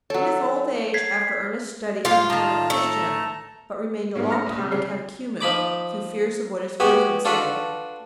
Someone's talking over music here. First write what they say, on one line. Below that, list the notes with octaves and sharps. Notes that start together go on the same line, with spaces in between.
In his old age, after earnest study, he became a Christian, but remained a long time a catechumen through fears of what his friends would say.
F#3 A4 C#5
G#6 B6 C7
G#2 F4 F5
A2 D#3 A5 A#5
A3
G#2 A#3 B3
A3 F6 A#6
A#1 D#6
C3
C#3 G3 C7
F3 D#4 B5 D6
G#3 B3 F#4 G4 B4 G5
D4 F4 F#4 A4 B4